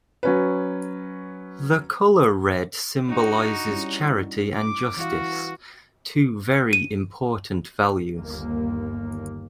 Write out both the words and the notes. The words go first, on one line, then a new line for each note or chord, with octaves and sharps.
The colour red symbolizes charity and justice, two very important values.
F#3 C#4 B4
D4 D#4 F#4
G3 C#4 E4
D6
E3 E4 F#4 F5
D#7
G1 D#2 A#3